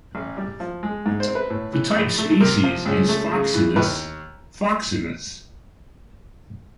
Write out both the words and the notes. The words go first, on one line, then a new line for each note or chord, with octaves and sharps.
The type species is "Phoxinus phoxinus".
A1
G3
F3
G#3
G#2
C5
C4
B4
A2
E3
A#1
A3
C3 A#4
F3
C#2
A3
C#3
E3
D#2 B4